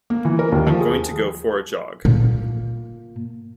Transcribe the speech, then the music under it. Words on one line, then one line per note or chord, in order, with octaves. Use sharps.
I'm going to go for a jog.
A#3
E3
A#4
D#2
F3
G#4
A#2